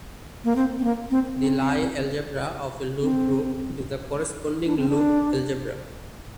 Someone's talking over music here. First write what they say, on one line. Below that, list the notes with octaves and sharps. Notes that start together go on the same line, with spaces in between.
The Lie algebra of a loop group is the corresponding loop algebra.
A#3
C4
C4
A#3
C4
C4
C4
D4
C4
D4